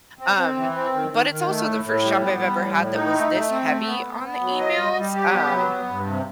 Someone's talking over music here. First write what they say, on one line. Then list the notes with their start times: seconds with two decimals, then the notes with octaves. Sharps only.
um, but it's also the first job I've ever had that was this heavy on the emails, um
0.19 C4
0.37 C4
0.56 E3
0.74 C4
0.93 D#3
1.12 D#3
1.30 D#3
1.48 A3
1.66 A2
1.85 A2
2.03 G3
2.21 B3
2.39 G3
2.58 A2
2.76 A2
2.94 D#4
3.13 A3
3.31 A3
3.50 C4
3.67 A3
3.86 B3
4.05 B3
4.23 B3
4.41 F#3
4.59 D#5
4.78 G3
4.97 G3
5.14 G4
5.33 B3
5.51 F#3
5.69 B3
5.89 G2
6.06 C3